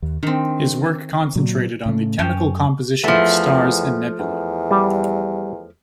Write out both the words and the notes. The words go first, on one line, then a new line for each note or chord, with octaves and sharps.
His work concentrated on the chemical composition of stars and nebulae.
D#2
D#3 C4 D4
A#2 F#3
A2 C#3 A3
F#2 C#4 G5 A5
E2 F3 A3
E2
G3